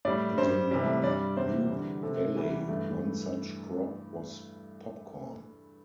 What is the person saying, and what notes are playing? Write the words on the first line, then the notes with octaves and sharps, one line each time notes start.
In the North Loup valley, one such crop was popcorn.
A2 G3 D5
G2 G3 C5
C3 E3 G3
G2 G3 D5
E2 C3 G3 C5
E2 D3 G3
C3 A3 A4
E2 E3 G3
G2 E3 A3